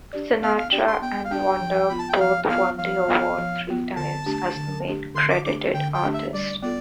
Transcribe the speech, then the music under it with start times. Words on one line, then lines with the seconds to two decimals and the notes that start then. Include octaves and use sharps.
Sinatra and Wonder both won the award three times as the main credited artist.
0.13 D4 G4 D5
0.42 B3 F5
0.57 F5
0.71 D4 G4 D5 G5
0.87 C6
1.02 B3 G5
1.25 F5
1.30 D4 G4 D5 G5
1.61 F3
1.90 B3 F4 B5
1.99 A5
2.09 G5
2.20 F3 F5
2.49 B3 F4 F5
2.78 F3 F5
3.08 B3 F4
3.38 F3
3.67 B3 F4
3.96 D3 A5
4.26 A3 D4 G4
4.56 D3
4.85 A3 D4 G4
5.15 D3 C6
5.30 D6
5.45 A3 D4 G4 D6
5.74 D3 G5
5.94 G5
6.04 A3 D4 G4
6.13 E5
6.33 G3 D5
6.62 B3 F4 A4 D5